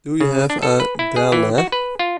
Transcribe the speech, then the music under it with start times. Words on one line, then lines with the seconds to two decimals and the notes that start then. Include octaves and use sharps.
Do you have a Delna?
0.21 C#3
0.50 D4
0.62 A4
0.80 B4
0.99 E4
1.16 G#4
1.32 E3
1.58 F#4
1.72 B4
1.99 F4